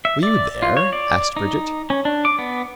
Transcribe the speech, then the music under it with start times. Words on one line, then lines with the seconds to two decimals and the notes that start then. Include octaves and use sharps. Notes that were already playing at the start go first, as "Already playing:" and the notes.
"Were you there?" asked Brigitte.
0.05 E5
0.23 D5
0.62 F4
0.77 C#5
0.93 D5
1.37 D#4
1.90 C#4
2.05 D4
2.25 D6
2.39 B3